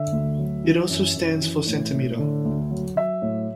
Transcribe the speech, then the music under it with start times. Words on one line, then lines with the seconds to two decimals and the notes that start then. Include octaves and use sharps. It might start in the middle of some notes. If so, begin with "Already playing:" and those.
It also stands for centimetre.
Already playing: D3 E5
0.12 D2
0.38 F#3
0.64 E3
0.90 F#2
1.16 F#2
1.42 E3
1.67 A2
1.93 A2
2.19 D3
2.45 D2
2.71 F#3
2.96 F#3 E5
3.22 A2